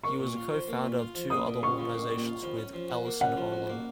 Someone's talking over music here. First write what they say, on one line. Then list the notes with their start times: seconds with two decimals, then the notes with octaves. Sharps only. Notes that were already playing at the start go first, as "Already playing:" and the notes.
He was a co-founder of two other organizations with Alison Harlow.
0.04 A#3 C#6
0.20 A#2
0.36 F4
0.52 F3
0.67 A#3
0.83 A#2
1.00 F4
1.15 F3
1.30 A#3 D#6
1.47 A#2
1.63 F4 C#6
1.78 F3
1.95 A#3
2.10 A#2
2.26 F4
2.42 F3
2.57 C#4
2.73 F3
2.89 F#4
3.05 A#3
3.20 C#4 F#5
3.36 F3
3.52 F#4
3.69 A#3